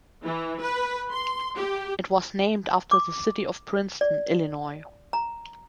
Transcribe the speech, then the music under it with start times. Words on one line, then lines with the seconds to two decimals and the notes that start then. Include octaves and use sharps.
It was named after the city of Princeton, Illinois.
0.23 E3
0.59 B4
1.11 C6
1.56 G4
2.91 D6
4.01 D5
5.13 A#5